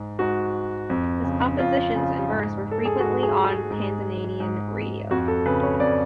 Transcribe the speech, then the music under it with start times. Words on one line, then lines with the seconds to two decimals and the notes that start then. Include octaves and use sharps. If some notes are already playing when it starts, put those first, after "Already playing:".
His compositions and verse were frequently on Tanzanian radio.
Already playing: G#2
0.19 G#2 F#4
0.90 F2
1.24 C#3
1.59 F2 F4
1.95 C#3
2.30 G#2
2.71 A4
2.85 G#4
3.00 G#2 F#4
3.23 G#4
3.46 G#4
3.70 G#2
4.40 G#2
5.10 F2 F#4
5.28 A4
5.46 C#3 B4
5.63 C#5
5.80 F2 D5